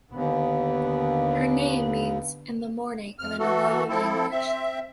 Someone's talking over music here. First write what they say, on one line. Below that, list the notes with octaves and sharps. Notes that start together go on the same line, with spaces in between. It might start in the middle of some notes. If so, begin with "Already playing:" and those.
Her name means "in the morning" in the Navajo language.
D#2 D3 B3
F2 F6
E3 A3 F#4 A4
F3 C4 E4 A4
C4 E5